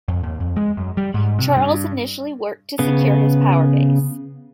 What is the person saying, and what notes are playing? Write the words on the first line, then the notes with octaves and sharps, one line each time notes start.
Charles initially worked to secure his power base.
F2
D#2
F2
G#3
F#2
G3
G#2
C3
G2
C#3 B3